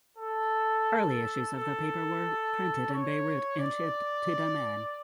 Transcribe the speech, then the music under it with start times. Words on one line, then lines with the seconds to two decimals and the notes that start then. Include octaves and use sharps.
Early issues of the paper were printed in Beirut and shipped to Dammam.
0.18 A4
1.54 A4
2.90 C#5
3.58 D5